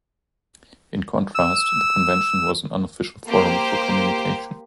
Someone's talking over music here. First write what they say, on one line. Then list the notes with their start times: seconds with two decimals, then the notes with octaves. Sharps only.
In contrast, the Convention was an unofficial forum for communication.
1.35 E6
3.27 A#3 G4 C5